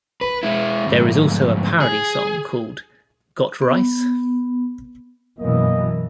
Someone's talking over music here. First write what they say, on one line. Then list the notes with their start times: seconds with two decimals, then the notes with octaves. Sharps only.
There is also a parody song called Got Rice?
0.21 B4
0.43 G#3 E4
0.87 D2 G#2
1.80 G#4
3.62 B3
5.40 F#2 B2 E3 A#3 D#5